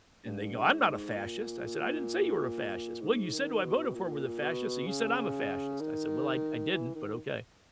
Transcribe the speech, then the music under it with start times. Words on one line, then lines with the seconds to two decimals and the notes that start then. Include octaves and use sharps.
and they go, "I'm not a fascist." I said, "I didn't say you were a fascist." "Well you said who I voted for was a fascist, so you said I'm a fascist." I said, "Well, I I didn't, but okay.
0.24 G2
0.71 G#2
1.16 A#2
3.01 G#2
3.32 D#3
3.64 B2
3.94 A#2
4.41 B2
4.87 C#3
5.80 D#3
6.73 E3
6.95 D#3